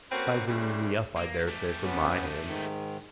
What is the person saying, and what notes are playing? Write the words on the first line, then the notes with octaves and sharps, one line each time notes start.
Sizing me up I daresay from my hand.
A#3 C4 C#4 F#4 A4 B4
A2 C#3 G3 A3 C4 D4
A#3
A3 G4
B3 C#4
G#2 D#3